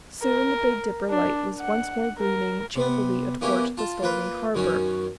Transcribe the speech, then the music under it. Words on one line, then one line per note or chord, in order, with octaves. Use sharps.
Soon the Big Dipper light was once more gleaming cheerfully athwart the stormy harbour.
A#4
D4
F#5
A#4
C3 B3
E3 A#3 B3 C#4 E4 G4
F4 A5
A#3 F4 B4
F#2 D#3 F#3 C#4